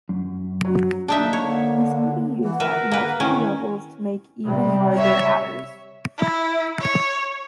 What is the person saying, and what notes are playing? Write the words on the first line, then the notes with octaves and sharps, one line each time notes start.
This can be used at multiple levels to make even larger adders.
F#2
F#3
A#3 D4 D#4 E5
D3 C#5
E3 F#5
A#4 B4 E5
A#3 B4
D#3 C#4 E4
C3 G3
C#5 E5
E4
C#5